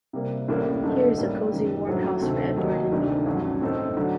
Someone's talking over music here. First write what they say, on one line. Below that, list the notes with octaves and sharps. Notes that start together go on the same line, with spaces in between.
Here's a cozy warm house for Edward and me.
C3 G3 A#3
A1 A2 G3 A#3
F#2 D3 A3 D#4
A2 G3 A#3
F#1 F#2 D#3
A#1 A2 F#3
D2 C3 D#3 A3 C4
D#2 D#3 F#3 A#3 D#4
D2 C3 D#3 A3 D4
A1 G2 F#3
A2 A3 C4 D#4 A4
D3 F#3